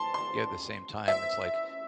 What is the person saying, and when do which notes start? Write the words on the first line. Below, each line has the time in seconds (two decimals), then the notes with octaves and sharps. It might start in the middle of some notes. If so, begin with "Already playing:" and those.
yeah, at the same time, it's like,
Already playing: A5 C6
0.14 C6
1.08 E5